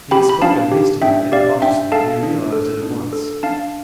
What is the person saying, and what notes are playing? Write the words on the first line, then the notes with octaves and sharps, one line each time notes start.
He had spoken hastily and incautiously and he realized it at once.
G4 G5 B5
B5
D4 F5 A5
G4
D4 E5 G5
G4 D5 F5
D4 E5 G5
A4 F5 A5
D4
A4
D4
A4
D4 F5 A5